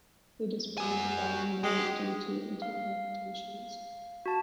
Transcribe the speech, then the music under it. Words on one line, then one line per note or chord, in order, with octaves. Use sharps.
They disbanded the following year due to internal tensions.
F#4 G#5
G#3 F#4 G5
F5
F#4 A5